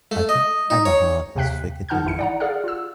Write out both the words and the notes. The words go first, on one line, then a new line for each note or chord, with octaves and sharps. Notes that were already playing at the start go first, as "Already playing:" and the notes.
I think Eberhard has figured it out.
A3
D#5
D#4
C#5
D#2 C3 F5 G5 F#6 B6
D#3 D#4 F#5 A5 F6 G6
A1 E3 E4 C#7
D5 F#5 A#5
G#4 D5 F5 F#5 F6
F4 E6